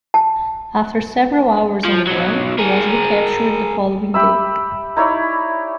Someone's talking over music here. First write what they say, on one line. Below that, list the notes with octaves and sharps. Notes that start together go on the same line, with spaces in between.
After several hours on the run, he was re-captured the following day.
A5
F3
B1 F#3
G#4 A#4
G4 E5 B5 E6
D#4 E4 C#5 D5